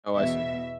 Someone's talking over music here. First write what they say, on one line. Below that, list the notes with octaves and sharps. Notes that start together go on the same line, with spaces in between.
Oh, I see.
E2 B2 E5